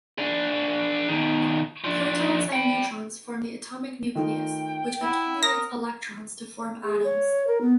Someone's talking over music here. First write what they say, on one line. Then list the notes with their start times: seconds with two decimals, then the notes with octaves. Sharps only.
Protons and neutrons form the atomic nucleus, which accumulates electrons to form atoms.
0.18 D4 G#4
1.09 B2 D#3
1.84 F3 D4
2.53 G5 B5
4.15 D#3 A3 F4 G5
5.03 E4 F#5 B5
5.43 A#4 D#6 A#6
6.84 G#4
7.04 C#5
7.47 A#4
7.61 B3